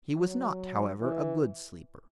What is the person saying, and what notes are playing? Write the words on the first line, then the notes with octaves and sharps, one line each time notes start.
He was not, however, a good sleeper.
F#3
E3